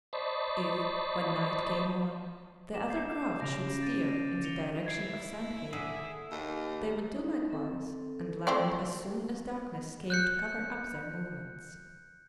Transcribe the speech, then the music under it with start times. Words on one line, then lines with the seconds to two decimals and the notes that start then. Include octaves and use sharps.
If, when night came on, the other craft should steer in the direction of Sand Haven, they would do likewise, and land as soon as darkness came to cover up their movements.
0.13 C5 D5 D#5 A5 B5 C#6
2.74 D6 E7
2.89 G6 C7
3.41 C#3 A#6 D7 F7
3.83 A6 D#7
4.44 C#7 F7 G7
4.86 E4 G#6 C7 D7
5.73 D3 G#4 E5
6.31 D#2
7.15 D#4
7.50 C4 A4
8.47 A3 C4 D5
10.10 F#6 G6 C#7